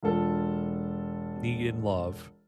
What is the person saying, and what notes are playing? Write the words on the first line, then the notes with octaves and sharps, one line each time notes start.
need, and love,
E1 F4 A4 A5